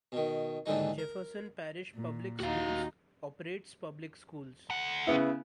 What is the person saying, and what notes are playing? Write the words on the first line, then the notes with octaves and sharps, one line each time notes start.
Jefferson Parish Public Schools operates public schools.
B2 D#3
D#2 G#2 D3 E3 D#4
A#4
A#2
D#2 D#4 F#4 F5
D2 F#5
C#3 B3 E4